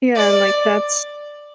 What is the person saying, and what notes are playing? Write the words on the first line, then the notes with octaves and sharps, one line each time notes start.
Yeah, and like that's
D5